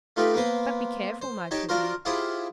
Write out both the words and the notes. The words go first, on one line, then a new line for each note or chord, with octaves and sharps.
But be careful, my pretty!
A3 D#4 F4 G4 B4
A#3 B3 B4 C5
C5
D#4 G4 C#5 A5 D6
D4 F4 F#4 A#4 C5
E4 F4 G4 G#4 C5 F#5